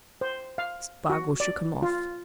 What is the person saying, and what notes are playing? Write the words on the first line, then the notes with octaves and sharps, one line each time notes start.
Spargo shook him off.
C5
F5
F#4
D5
F4